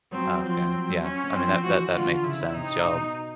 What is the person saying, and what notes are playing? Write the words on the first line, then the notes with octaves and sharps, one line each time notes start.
Okay, yeah. I mean, that that that makes sense. Y'all
F#3 C4
F3 C4
F#3
C#4
F3 C4
E3 F#4
D3 F4
C#3 E4
C3 D#4
B2